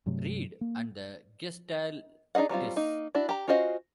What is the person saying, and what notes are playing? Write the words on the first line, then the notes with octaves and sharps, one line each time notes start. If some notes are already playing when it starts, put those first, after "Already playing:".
Reed and the Gestaltists.
G2 C3 F#3 A3
A#3
D4 D#4 G#4 D#5 F#5
F#3 G3 C4 F4
A#3 D#4
D4 E4 F#4
G4 A#5
C#4 F4 F#4 C5 D#5